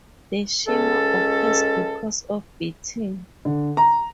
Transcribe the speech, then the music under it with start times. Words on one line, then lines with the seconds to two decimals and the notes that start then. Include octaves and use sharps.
The shimmer occurs because of beating.
0.66 C#2 G#3 C#4 A4
3.45 D3
3.77 A#5